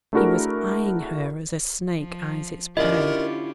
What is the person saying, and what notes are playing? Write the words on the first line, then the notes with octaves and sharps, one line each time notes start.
He was eying her as a snake eyes its prey.
A3 D4 E4 F#4 G#4 A#4
F3
D3 C#4 E4 F4 G4 A#4 D5 D#5